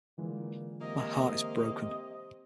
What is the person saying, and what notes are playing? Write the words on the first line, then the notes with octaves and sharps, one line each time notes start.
My heart is broken.
A#2 D3 E3 G#3
C3 A#3 D#5